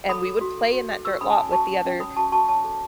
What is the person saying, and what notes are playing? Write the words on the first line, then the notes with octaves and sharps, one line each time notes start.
and we would play in that dirt lot with the other
A4 B5 D#6
A4
F#4
A4
F#4
A4
F#4 C#6 E6
C#4 B5 D#6
A5
C#5 G#5 B5
F#4 A5 C#6
C#4
C#4
C#5 B5 D#6
F#4 A5 C#6
F#4 A5 C#6
C#5 A5 C#6
A4